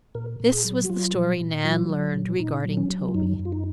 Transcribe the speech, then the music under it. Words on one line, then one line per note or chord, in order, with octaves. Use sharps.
This was the story Nan learned regarding Toby.
A#2 A#4
A#2
G#4
F#3
F#4
F#3 F4
A#2
A#2
F#3 F4
F#3
A#2
A#2 D#4
F#3
C#4
F#3
F4
F#2 D#4
F#2
F4
D#4